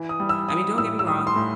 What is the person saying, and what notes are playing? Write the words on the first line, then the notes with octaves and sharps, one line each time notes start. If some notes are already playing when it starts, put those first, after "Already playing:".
I mean, don't get me wrong;
Already playing: E3
D#6
G3
E6
E3 D#6
A2 E6
E6
G3 D#6
C6
A2